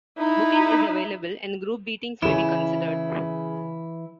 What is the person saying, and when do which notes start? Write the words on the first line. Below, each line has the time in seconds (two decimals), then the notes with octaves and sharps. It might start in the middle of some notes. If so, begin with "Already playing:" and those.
Booking is available and group beatings may be considered.
0.18 D#4 E4
2.22 C#3 E3 E4 E7